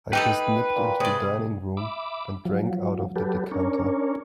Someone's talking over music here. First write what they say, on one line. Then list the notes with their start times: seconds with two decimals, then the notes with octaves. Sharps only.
I just nipped into the dining-room and drank out of the decanter.
0.13 G#3 D#4 G4 A4 B4 G5
0.75 A#2
1.00 C3 G#4 D5
1.77 E5 B5 D6
2.45 F3 F#3
3.16 F#3 G4 A4 B4
3.51 C#4 D4 A#4 C#5